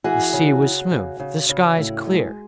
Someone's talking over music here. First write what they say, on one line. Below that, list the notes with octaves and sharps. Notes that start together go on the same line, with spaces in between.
The sea was smooth, the skies clear.
E3 F#4 G#4
C#3
C#3
C#3
C#3
C#3
A2
G#3